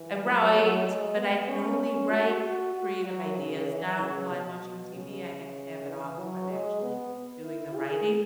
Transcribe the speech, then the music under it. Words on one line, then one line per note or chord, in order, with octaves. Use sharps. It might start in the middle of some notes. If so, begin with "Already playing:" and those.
I write, but I can only write creative ideas down while I'm watching TV, I have to have it off if I'm actually doing the writing,
Already playing: E3
F#3
F#3
G#3
B3
C#4
C#4
F#4
F#4
F#4
F#3
C#3
E3
C#3
B2
C#3
E3
F#3
G#3
B3
E4
G#4